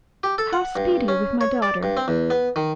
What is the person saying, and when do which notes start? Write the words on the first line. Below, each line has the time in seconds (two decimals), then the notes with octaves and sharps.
"How speed you with my daughter?"
0.23 G4
0.38 A4
0.53 F#5
0.76 G2
1.08 C#4
1.41 C#5
1.62 D5
1.83 G2
1.97 C4
2.08 E2
2.30 B3
2.56 D#3